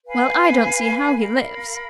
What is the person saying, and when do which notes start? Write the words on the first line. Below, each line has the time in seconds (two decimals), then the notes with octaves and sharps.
"Well, I don't see how he lives!"
0.06 B4 F5 G#5 B5
1.20 A#4 F5 B5